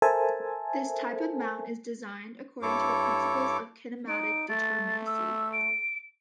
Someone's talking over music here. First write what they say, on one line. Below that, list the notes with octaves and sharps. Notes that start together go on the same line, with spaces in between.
This type of mount is designed according to the principles of kinematic determinacy.
A4 A#4 C5 E5 G#5 A5
G2 E4 A4 C#5 D6
D#4 D7
A3 A6
E6
D7